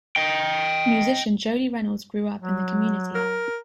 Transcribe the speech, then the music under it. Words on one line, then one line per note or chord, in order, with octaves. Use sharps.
Musician Jody Reynolds grew up in the community.
D#5 G5
F#3
A#4